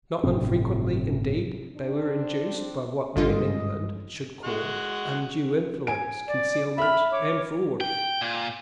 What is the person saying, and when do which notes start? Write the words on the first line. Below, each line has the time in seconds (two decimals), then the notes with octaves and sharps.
Not unfrequently, indeed, they were induced, by what we in England should call undue influence, concealment, and fraud.
0.23 G1 A2 C3 C4
1.76 C4 D4
3.16 G#1 G2 D3 G3 G#3 F4 D#5
4.44 G#3 F#4 F#5
5.87 G#5 D7
6.26 D5
6.78 E5 B5 F6
7.11 C#5 D6
7.81 G5
8.21 A#2